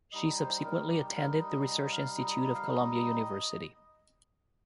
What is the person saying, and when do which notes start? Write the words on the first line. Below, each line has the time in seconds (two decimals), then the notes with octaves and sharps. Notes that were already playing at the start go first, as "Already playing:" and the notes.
She subsequently attended the research institute of Columbia University.
0.12 G3 D#4 D#5
0.39 C5
0.64 A#4
0.89 G4
1.16 A#4
1.41 D#5
1.67 D#5
1.78 C5
1.85 D#5
1.92 F5
2.18 D#5
2.43 D#5
2.55 F5
2.65 D#5